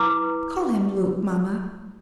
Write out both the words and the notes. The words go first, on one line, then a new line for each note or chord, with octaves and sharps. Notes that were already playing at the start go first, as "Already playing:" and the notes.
"Call him Luke, mamma."
Already playing: E4 B4 D6